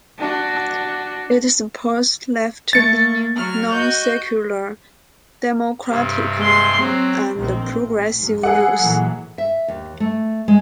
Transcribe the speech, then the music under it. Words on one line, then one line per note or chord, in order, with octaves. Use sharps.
It supports left-leaning non-secular democratic and progressive views.
D4 F#4
A3 C#6 A6 C#7
F#3 F6
F#4 D#5 G6
G2 C3
G#3 C6
F#3 C4
A#1 D#3 C4
A2
G#2
G3 G#4 A4 F#5
A#2 E3 F#3
E5
D#2
A3
G#3